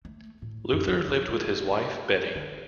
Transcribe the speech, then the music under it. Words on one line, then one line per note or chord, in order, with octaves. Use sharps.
Luther lived with his wife, Betty.
A3
A2
F#2
G3
D4
G#3
F1
E4
F#1
D3